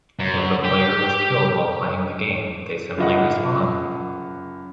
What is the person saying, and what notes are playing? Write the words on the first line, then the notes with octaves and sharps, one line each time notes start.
If a player was killed while playing the game, they simply respawn.
F#2
G4
F#1 F4 D#5 F#5